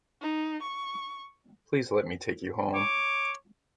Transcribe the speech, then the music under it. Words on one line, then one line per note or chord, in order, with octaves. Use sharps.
Please let me take you home?
D#4
C#6
C#5 D6